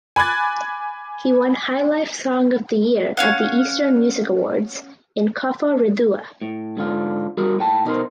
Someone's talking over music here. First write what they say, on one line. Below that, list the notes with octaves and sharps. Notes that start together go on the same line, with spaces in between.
He won Highlife Song of the Year at the Eastern Music Awards in Koforidua.
G#5 B5 D6 F#6 G#6 A6
C#4 F5 F#5
A2
G#2 D3 F4
G3 F#4 G#4 A#4
A2 G5 A5
B2 D#4 A#4 C5